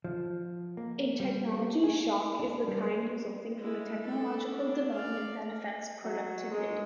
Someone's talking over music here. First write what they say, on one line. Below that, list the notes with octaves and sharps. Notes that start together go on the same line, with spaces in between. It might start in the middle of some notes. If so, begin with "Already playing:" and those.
A technology shock is the kind resulting from a technological development that affects productivity.
F3
A#3
G3
G#4
D4
G3
G#3 E4
D4 A4
D4
D5 F5
F#3
G#3